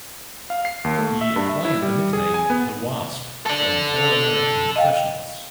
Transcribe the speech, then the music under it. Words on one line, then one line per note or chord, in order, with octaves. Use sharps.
He acquired the nickname "the wasp" from fellow American professionals.
F5
C7
D#2
A3
E5
G2
E5
E4
G3
G#4
G#5
B3
A4 D5
D#5 F5 G5